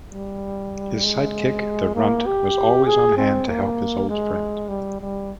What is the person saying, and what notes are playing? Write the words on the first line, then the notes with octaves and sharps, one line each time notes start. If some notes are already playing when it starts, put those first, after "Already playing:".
His sidekick, the Runt, was always on hand to help his old friend.
G3
G#3
A#3
G4
G#4
C4
A#3
G#3
G3
G3